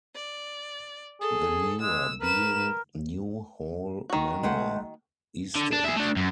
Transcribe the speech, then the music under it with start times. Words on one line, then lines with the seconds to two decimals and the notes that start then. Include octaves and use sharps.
The newer being New Hall Manor Estate.
0.15 D5
1.21 G#4 A4
1.81 G#3 E6
2.21 A#4 B4 E7
4.10 D#3 F#4
4.43 G#3 A3 F#5
5.55 D3
5.72 D4
5.84 G#4 E5
5.96 A3 D4
6.17 F#2